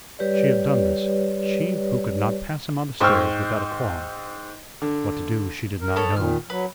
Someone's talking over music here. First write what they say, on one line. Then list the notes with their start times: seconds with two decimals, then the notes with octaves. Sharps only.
She had done this--she who could not pass him on the stairs without a qualm. What to do she did not know.
0.19 G3 G4 B4 C#5 D5
3.00 G#2 C5 G5 C#6 E6 F6
4.82 D3
5.81 A#4
5.96 B3 A4 C#5
6.17 A#2 D#3 F6
6.50 F#3 B4